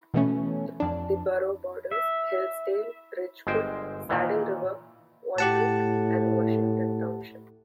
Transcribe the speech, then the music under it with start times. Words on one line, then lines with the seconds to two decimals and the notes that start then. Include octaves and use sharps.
The borough borders Hillsdale, Ridgewood, Saddle River, Waldwick, and Washington Township.
0.14 B2 E3 A3 C#4
0.80 F2 D4
1.91 E5
3.47 G1 G#3 C5 G5
4.09 A#2 D#3 E3
5.38 A2 G4 F#5 A5